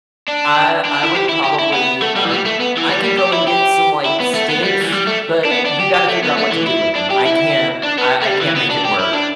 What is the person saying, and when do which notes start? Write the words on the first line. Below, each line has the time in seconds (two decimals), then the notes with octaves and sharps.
I I would probably, um, I could go and get some, like, sticks, but you gotta figure out what to do with them. I can't I I can't make it work.
0.28 D4
0.85 D4
1.03 E4
1.15 G4
1.29 E4
1.44 G4
1.59 E4
1.73 B3
2.02 A3
2.16 G3
2.25 E3
2.31 G3
2.46 A3
2.61 B3
2.78 E3
2.89 G3
3.04 G3
3.19 G4
3.33 E4
3.47 G4
4.05 E4
4.20 B3
4.34 A3
4.49 B3
4.64 G3
4.81 E3
4.92 G3
5.07 A3
5.45 D4
5.51 B3
5.65 D4
5.80 G4
5.94 G4
6.09 A3
6.24 B3
6.38 A3
6.52 E3
6.67 E4
6.96 D4
7.11 G4
7.26 E4
7.83 D4
7.98 B3
8.22 A3
8.27 G3
8.41 E3
8.56 B3
8.70 D4
8.85 G4
8.99 E4
9.13 D4